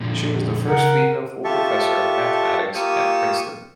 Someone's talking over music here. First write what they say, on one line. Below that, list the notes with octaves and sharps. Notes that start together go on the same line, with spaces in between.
She was the first female full professor of mathematics at Princeton.
A#2 D3 F3
C#3 A#4 F#5
F4 G4 A4 E5 A5 C#6
A#3 F4 G4 C#6 D#6 E6